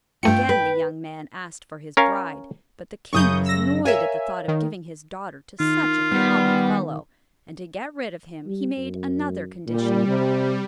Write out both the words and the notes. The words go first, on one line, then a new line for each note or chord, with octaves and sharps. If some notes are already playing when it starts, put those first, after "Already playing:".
Again the young man asked for his bride, but the king was annoyed at the thought of giving his daughter to such a common fellow, and to get rid of him he made another condition.
G2 A3 F4 G5 C#7
B4
C#4 A#4 F5
F#2 C#3 F#3 C#6 D#6 G6
E6 A#6
A#4 C#5 E5 F5 G#5
D#3
D#3 F4
G3 B3
G3
F#2
A#2 G3
C3